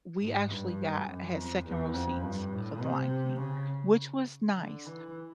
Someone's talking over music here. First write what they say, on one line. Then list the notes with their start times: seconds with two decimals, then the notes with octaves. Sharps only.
we actually got had second row seats for the Lion King which was nice
0.19 G#2
0.48 G2
1.07 F#2
1.36 F2
1.65 E2
1.94 F2
2.23 G2
2.52 A2
2.81 C3
3.40 C#3
4.56 D3
4.85 E3